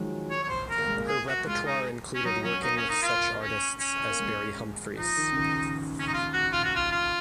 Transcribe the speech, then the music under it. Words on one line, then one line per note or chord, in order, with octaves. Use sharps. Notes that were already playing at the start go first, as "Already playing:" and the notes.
Her repertoire included working with such artists as Barry Humphries.
Already playing: D#3 F3 F#3 G#3
C#5
C#5
C5
A#4
A#3
G#3
A#3
G#4
F#4
G#3 F4
D#4
C#4
F#3 D#4
F#3 C#4
A#3 D#4
C#4
D#4
F4
C#4
C#4
A#3
G#3
F3 D#4
D#3
C#3
D#3
C#4
D#4
F4
F#4
F4
F#4
F4
F4